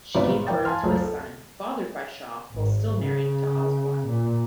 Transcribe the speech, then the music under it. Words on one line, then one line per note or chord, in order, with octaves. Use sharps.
She gave birth to a son, fathered by Shaw, while still married to Osborne.
G#1 B2 C4 B4 D5
G#1
E3 A#4 D5 G5 A6
F5 G#5 A5 C6 F6
F#1 C#2 A3
A4
G#1
C#3
A#2